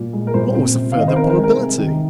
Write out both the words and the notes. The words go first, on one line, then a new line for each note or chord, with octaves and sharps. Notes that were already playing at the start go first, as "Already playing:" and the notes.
What was the further probability?
Already playing: A#2
G#3
A#4
A#2 C5
C4
C3
F5
D#3 D#5
C5
C4 A#4
A#4
G#3
A#4
C3
D#3